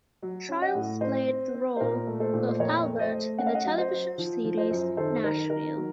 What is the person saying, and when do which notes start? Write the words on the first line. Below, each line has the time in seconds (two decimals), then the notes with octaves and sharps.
Childs played the role of Albert in the television series "Nashville".
0.22 F#3
0.49 C#4
0.61 D#5 F#5
0.75 A2
1.01 C4 C5 D#5
1.28 C4
1.54 C4
1.76 C5
1.81 A#2 A#4
2.07 A3
2.20 A4 C5
2.33 A#2
2.49 C5
2.59 F2 A#4 C#5
2.86 A3
2.99 C5 D#5
3.13 A3
3.38 C#4 F#5
3.47 F5
3.55 D#5 F#5
3.65 F#3
3.78 C5 D#5
3.91 F#3
4.18 F3
4.44 F3
4.57 C5 D#5
4.70 F#2
4.97 D#3 A4 C5
5.24 D#3 A#4
5.50 D#3 A#4
5.77 F#3